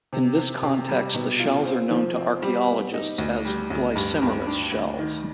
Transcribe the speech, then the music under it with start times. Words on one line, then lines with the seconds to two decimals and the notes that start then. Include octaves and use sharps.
In this context the shells are known to archeologists as "Glycymeris shells".
0.13 C3
0.37 C4
0.63 C3
0.89 G3
1.14 B2
1.40 F4
1.65 C4
1.91 F3
2.17 C4
2.42 G3
2.68 B3
2.93 D#4
3.18 D2
3.45 G3
3.70 D2
3.96 G2
4.22 G2
4.47 D4
4.72 D2
4.98 D#3